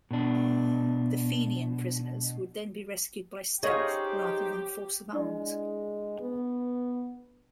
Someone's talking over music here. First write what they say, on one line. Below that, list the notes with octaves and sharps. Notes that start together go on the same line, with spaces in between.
The Fenian prisoners would then be rescued by stealth rather than force of arms.
B2 D4
D#4 G4 G#4 C5 C#5 D#5 F5
G#3 D4 E4 D5
B3